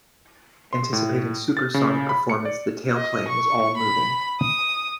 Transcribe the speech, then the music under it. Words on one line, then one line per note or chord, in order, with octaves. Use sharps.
Anticipating supersonic performance, the tailplane was all-moving.
C6
A2
A6
C#3
B5
C#7
D5
D#5
C#6
B5
D#6